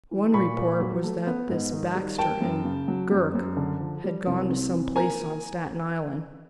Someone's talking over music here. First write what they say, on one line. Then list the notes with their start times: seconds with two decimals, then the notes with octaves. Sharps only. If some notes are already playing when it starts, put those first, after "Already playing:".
One report was that this Baxter and Girk had gone to some place on Staten Island.
0.11 E3
0.34 A#2 B5 C#6
0.57 A#2
0.80 F#3
1.04 A3
1.27 B3
1.49 G#2
1.72 D#3
1.95 G3
2.18 A#3 G5 A5
2.42 F#2
2.65 C#3
2.88 F#3
3.11 F#2
3.35 F#2
3.57 D3
3.80 F3
4.04 G3
4.27 C2
4.49 C3
4.73 E3
4.96 A#3 G#5 A#5